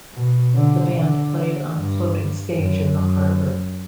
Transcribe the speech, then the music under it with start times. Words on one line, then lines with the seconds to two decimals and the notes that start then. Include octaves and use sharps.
The band played on a floating stage in the harbour.
0.14 B2
0.54 D3
0.94 D3
1.74 G2
2.56 F#2
2.96 F#2